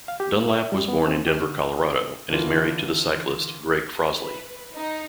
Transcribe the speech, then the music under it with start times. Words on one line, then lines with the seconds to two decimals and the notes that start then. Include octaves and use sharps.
Dunlap was born in Denver, Colorado, and is married to the cyclist Greg Frozley.
0.08 F5
0.20 G4
0.36 A3
0.49 E5
0.72 G3
0.88 B3
1.08 C4
1.27 G4
1.41 D3
2.31 D3 E3 F4 A#4
4.16 B4
4.74 D#4